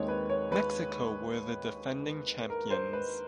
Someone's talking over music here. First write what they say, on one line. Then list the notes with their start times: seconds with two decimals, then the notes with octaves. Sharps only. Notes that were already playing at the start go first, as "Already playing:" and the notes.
Mexico were the defending champions.
Already playing: D#2 D#3 G#3 C4 C#5
0.08 B4
0.30 C#5
0.52 B4
2.50 A#4
2.71 C5
2.93 B4